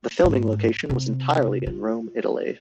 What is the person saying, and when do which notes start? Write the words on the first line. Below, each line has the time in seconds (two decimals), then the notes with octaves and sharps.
The filming location was entirely in Rome, Italy.
0.24 G#2
0.89 C3
1.66 F4